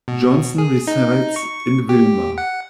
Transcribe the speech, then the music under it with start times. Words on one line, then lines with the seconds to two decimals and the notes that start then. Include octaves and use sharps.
Johnson resides in Willmar.
0.08 B2
0.58 G#4
0.87 D#4
1.36 C#6
1.89 G4
2.38 F#5